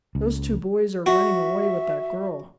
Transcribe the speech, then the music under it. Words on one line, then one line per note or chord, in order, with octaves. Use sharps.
"Those two boys are running away with that girl!"
C#2
F#4 E5